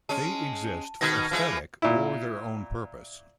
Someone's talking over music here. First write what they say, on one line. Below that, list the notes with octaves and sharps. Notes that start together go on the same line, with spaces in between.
They exist for aesthetic or their own purpose.
G#3 C#4 A5
B2 D#3 D#4 F6 G#6 A#6
E3 F3 G#3
A#2 E4